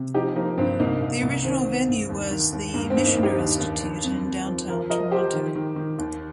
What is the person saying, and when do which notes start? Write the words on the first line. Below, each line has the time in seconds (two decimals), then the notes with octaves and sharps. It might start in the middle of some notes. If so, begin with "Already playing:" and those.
The original venue was the Michener Institute in downtown Toronto.
Already playing: C3
0.14 F3 D#4 G4
0.36 F3 A#3 D#4
0.58 G2 C4
0.80 C2 A#3 D#4
1.00 C2
1.23 C2
1.44 D#3 C4
1.65 D#3
1.88 G2
2.09 D#2
2.31 D#3
2.53 D#2
2.73 G2 A#3
2.90 C4
2.96 G2
3.06 A#3 D#4
3.17 G2
3.23 D#4 G4
3.39 D#2
3.60 D#2
3.82 D#2
4.04 F2
4.25 F2
4.46 F3
4.68 F3 F4 A#4
4.90 F3 A#4 D#5
5.11 F3 G4 C5
5.33 D#3
5.55 D#3
5.76 D#3
5.99 D#2